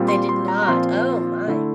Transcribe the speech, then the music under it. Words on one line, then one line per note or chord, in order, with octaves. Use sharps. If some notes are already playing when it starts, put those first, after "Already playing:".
They did not. Oh my.
Already playing: A#2 G3 C4 F4
C6
C6
A#5
A#5
A#2 F3 C4 F4 C6
D3 A3 E4